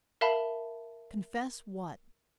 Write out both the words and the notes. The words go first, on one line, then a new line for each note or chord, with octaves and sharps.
"Confess what?"
A#4 E5 F5 A5 B5